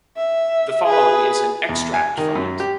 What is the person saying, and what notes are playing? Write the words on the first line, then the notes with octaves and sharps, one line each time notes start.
The following is an extract from it.
E5
G#4 B4
E2
G#5
D#3
F#2
G4